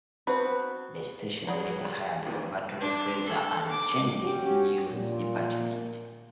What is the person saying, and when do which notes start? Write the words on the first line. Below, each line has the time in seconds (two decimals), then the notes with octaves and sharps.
The station later hired Roberto Repreza and changed its news department.
0.27 B3 C4 F#4 B4
1.47 F#3 G3 G#4
2.80 D4
3.26 A4
3.70 D6
4.22 C#4 F#4 G4
4.91 A#2